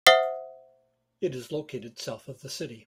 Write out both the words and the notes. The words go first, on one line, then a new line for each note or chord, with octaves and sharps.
It is located south of the city.
C5 E5 F#5 D#6 C7 G7